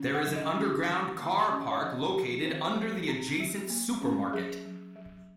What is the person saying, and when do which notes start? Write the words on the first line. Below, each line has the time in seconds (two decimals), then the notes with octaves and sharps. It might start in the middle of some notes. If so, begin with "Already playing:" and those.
There is an underground car park located under the adjacent supermarket.
Already playing: D#3 C#4
0.14 F#5
0.25 F#3
0.36 D#5
0.56 C#4
0.88 F#3
1.19 A#3
1.51 C#4
1.71 C#5
1.82 F3 D#5
2.14 F3
2.45 C4 C5
2.77 F#3
3.08 C4
3.40 F#3
3.70 A#3
4.02 C#4
4.33 F#3 G#4
4.65 F#3
4.96 F#3